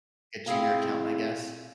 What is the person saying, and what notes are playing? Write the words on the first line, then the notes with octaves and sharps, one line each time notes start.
a junior accountant, I guess,
C4 E4 G#4 F5 G#5